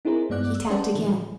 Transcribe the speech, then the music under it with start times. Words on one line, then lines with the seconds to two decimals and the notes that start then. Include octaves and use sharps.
He tapped again.
0.05 C4 D#4 E4 G#4 A#4 C5
0.30 G2 G#3 B3 D5 D6 F#6
0.55 E6
0.70 C#4 G4 B4 D5 F#5 A5
0.94 A2 D3 E3